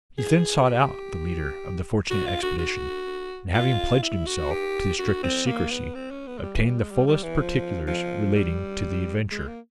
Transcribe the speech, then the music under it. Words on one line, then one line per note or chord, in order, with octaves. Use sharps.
He then sought out the leader of the fortunate expedition, and having pledged himself to the strictest secrecy, obtained the fullest particulars relating to the adventure.
G#4
G4
F#4
F4
F#4
F#4
F4
E4
F#4
G4
F#4
C4
A#3
B3
C4
C#4
B3
G#3
G3
E3
G3
G#3
G3
G3
E3
F3
F3
G3
G#3
A#3